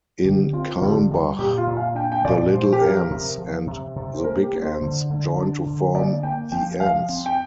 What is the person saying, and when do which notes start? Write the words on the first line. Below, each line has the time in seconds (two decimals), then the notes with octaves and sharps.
In Calmbach, the Little Enz and the Big Enz join to form the Enz.
0.25 D3 G4
0.53 C4 F4
0.77 F4
0.81 D3 G4
1.11 G3
1.39 A#2 G4
1.58 F4
1.67 A#2
1.77 F5
1.95 D4 G5
2.12 G5
2.24 A#2 D5
2.53 F3 C5
2.72 G4
2.81 F3 A#4
3.10 C3
3.38 F3
3.67 C3
3.96 C3
4.14 C5
4.23 A#3 A#4
4.43 G4
4.53 A#3
4.62 C5
4.82 D3
5.10 D3
5.38 D4
5.66 D3
5.94 A#3 D5
6.23 A#3 G5
6.52 F3 G5
6.80 F3 F5
7.09 C4
7.26 G5